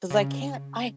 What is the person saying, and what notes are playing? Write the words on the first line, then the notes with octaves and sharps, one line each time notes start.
'Cause I can't, I
C#3